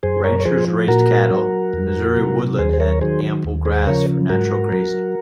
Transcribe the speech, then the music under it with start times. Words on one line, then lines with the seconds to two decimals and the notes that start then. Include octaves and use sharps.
Ranchers raised cattle; the Missouri woodland had ample grass for natural grazing.
0.03 F#2 G#4 C5
0.24 A#4 C#5
0.40 C#5
0.45 F3 G#4 C5
0.88 A#2 F#4 A#4
1.31 F#3
1.73 F2
2.17 C3 F#3
2.59 D#2 G#4 C5
2.73 C5
2.80 A#4 C#5
3.01 D#3 F#3 G#4 C5
3.44 D#2
3.65 G#4 C5
3.87 C#3 F3 A#4 C#5
4.29 G#2 F#4 A#4
4.72 F#3